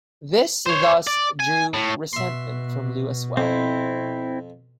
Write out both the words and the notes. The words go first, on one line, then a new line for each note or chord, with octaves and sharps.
This thus drew resentment from Lu as well.
C5 C#5
D5
G#5
A2
B2 E5 C6
F2 C4 E4